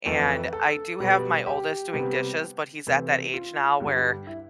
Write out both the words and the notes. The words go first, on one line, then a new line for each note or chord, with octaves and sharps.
and I do have my oldest doing dishes, but he's at that age now where,
F2 E3 A3
B4
A4
B2 G3 B3
G4
C3 G3 B3
C3 E3 A3
F4
G2 D3 G3
E4